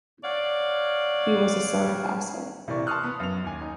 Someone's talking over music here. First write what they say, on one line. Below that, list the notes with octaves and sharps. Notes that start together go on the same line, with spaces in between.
He was a son of Asad.
C#5 D5 F5 F#5
C3 E3 A#4 D5 C#6
A5 C6 C#6 D#6 F6 F#6
B3
F#2 F7
D#2 G#5
D#4